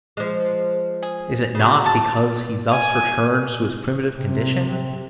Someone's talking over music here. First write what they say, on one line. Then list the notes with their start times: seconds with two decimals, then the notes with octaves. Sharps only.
Is it not, because he thus returns to his primitive condition?
0.17 F3 G#3
1.02 G#4
1.55 C#3 F#3
1.86 A5
2.70 G#5
4.17 C3